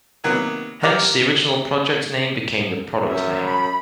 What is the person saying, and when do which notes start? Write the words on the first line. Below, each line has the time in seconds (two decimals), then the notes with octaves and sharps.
Hence, the original project name became the product name.
0.24 C3 D#3 F#3 A#3 B3
0.83 G4 A#4 D5 F5 F#5
3.07 F#2 E5
3.44 B5